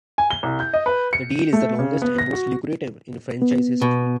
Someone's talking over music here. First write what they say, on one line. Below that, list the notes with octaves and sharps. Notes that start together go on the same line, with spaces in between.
The deal is the longest and most lucrative in franchise history.
G#5
G7
C2
G6
D#5
B4
C#7
A3
C#3
B3
A#6
F#4
B3
B2